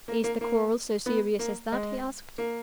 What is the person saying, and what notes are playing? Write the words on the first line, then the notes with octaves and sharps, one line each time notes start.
"Is the quarrel so serious as that?" he asked.
A#3
A#3
A#3
B3
A#3
G#3
A#3